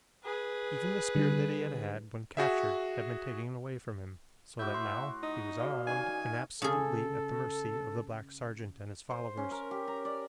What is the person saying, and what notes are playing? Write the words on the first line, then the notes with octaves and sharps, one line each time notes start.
Even the spear that he had had when captured had been taken away from him, so that now he was unarmed and absolutely at the mercy of the black sergeant and his followers.
G#4 B4
D3 G3
F#4 G#4 E5
A2 F#4 E5 D6 G6
C6
D#4 D#5
F#4 D5 F5
D#3 C#4 G#5
C#3 G#4 A4
C5
C#4
A#4
G4
A#5
D5